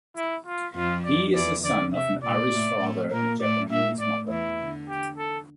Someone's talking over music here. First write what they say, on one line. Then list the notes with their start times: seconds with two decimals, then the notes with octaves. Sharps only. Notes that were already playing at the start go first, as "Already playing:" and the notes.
He is the son of an Irish father and a Japanese mother.
0.16 E4
0.46 F4
0.75 F2 F3 F4
1.05 D5
1.34 E2 E3 D5
1.64 D3 D5
1.93 C3 E5
2.23 A#2 D5
2.52 A2 A3
2.82 A2 A3
3.11 A#2 A#3 A#4
3.40 A2 A3 D5
3.70 A#2 A#3 E5
3.99 A2 A3 D5
4.29 E2 E3 E4
4.60 D3
4.88 G4
5.18 A4